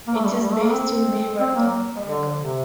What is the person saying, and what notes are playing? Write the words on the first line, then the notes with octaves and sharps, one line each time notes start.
It is based in Beaverton, Oregon.
A#3
A3
G3
A3
G3
A3
A#3
C4
C4
A#3
D3
C3